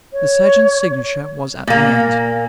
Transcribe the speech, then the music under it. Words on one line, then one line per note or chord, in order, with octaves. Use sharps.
The surgeon's signature was at the end.
C#5
A#2 A#3